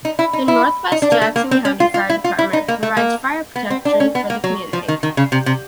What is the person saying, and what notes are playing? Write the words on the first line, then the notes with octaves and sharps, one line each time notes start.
The Northwest Jackson County Fire Department provides fire protection for the community.
D#4
E4
D#4
E4
D#4
D4
A#3
A3
A#3
C4
C#4
F4
F4
E4
F4
E4
D#4
A#3
A3
A#3
B3
C4
D4
C#4
B3
A#3
F#3
F3
D#3
D#3
C#3
C3
C3